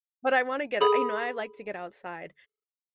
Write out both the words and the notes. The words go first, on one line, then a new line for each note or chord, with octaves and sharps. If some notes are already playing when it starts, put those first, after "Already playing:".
but I wanna get you know, I like to get outside,
G#4 A4 B5 D#6 F#7